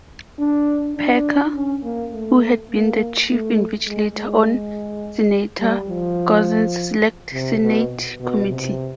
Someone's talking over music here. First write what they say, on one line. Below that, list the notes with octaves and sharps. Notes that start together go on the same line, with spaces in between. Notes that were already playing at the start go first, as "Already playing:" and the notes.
Parker, who had been the chief investigator on Senator Couzens' Select Senate Committee.
D4
D4
C#4
A#3
A3
A#3
A3
G#3
G#3
G3
F3
C3
B2
B2
C3